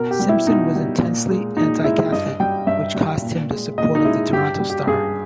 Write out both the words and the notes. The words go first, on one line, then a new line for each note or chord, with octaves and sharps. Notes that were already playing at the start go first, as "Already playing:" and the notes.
Simpson was intensely anti-Catholic which cost him the support of the "Toronto Star".
Already playing: B2 A#4
G4
G3
E4
B2 D#4
G3
A#2
G#3
A#2 D#4
G#3 E4
G2 D#5
G3 G5
G2 E5
G3
A#2
G#3
A#2 D#5
D#4
G#3 E4
G2 G4
G3
G4
G2 G#4